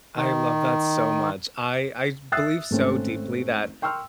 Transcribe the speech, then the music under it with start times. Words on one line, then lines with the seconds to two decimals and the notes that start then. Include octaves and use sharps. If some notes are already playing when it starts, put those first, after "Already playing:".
I love that so much. I I believe so deeply that
0.16 D#3
2.32 E5 D#6 E6 F#6 A6 C7
2.71 G#1 A3 C4 C#4
3.82 G5 C6 C#6 E6 F6